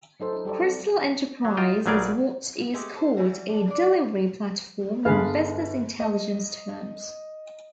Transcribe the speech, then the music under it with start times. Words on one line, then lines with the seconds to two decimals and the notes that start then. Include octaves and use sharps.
Crystal Enterprise is what is called a delivery platform in Business Intelligence terms.
0.20 F#3 D#4 A4 C5
0.32 D4 E4
0.45 G3 G4 A4 D5
0.60 G3 C4
1.45 F#3
1.57 F4 D#5 G5
1.86 A#1 F#3 G3 G#4 A#4 D5
2.74 G#3 A3 G4
2.96 A4 C5
3.17 E3 G3 F#4
3.49 D4 A4
3.68 D4 D5
5.05 G1 D3 G#4 B4 F5
6.00 D#5